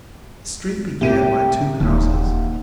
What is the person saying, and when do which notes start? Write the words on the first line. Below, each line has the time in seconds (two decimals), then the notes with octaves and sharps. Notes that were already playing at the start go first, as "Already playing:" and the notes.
The street began by two houses.
1.01 C2 G4 D#7
1.80 D#1 D#2